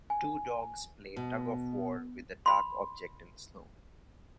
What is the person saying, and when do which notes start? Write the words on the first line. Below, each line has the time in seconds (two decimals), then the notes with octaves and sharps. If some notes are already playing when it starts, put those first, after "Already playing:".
Two dogs play tugofwar with a dark object in the snow.
0.10 G#5
1.16 B2
2.46 B5 C6